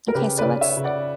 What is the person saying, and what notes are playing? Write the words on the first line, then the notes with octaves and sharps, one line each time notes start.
Okay, so let's
A#4
C#3 G4 B4
B4 D5
C#3
C#5 E5
C#3
D5 F#5